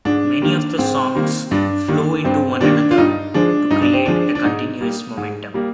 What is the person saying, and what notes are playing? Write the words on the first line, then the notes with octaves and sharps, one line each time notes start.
Many of the songs flow into one another to create a continuous momentum.
G#2 D4
D#3 G3 A#3
G#2 C4
D#3 G3 A#3
G2 D4
D#3 G3 A#3
G2 C4
D#3 G3 A#3 D4
F4
G2 D#4
F3 G#3 D4
G2 D#4
D4
C4
F3 G#3 D4
D4
G#2 D#4
G3 A#3
G#2
G3 A#3